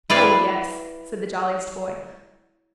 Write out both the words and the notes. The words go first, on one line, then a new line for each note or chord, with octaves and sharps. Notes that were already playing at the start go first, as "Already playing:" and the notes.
"Oh, yes," said the jolliest boy.
E4 B4 D5 E5 F5